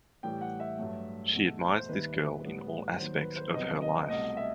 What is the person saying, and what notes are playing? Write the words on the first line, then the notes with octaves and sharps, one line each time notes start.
She admires this girl in all aspects of her life.
A2 E3 G3 G5
F#5
E5
G2 F#3 A3
E2 B2 A3
C5
D#2 D#3 G3 B4
A2 G3 B3
D#2 D#3 F#3 C5
B4
C5
C2 C3 F#3 B3 D#5
D#5
C2 B2 A3 D#5
E5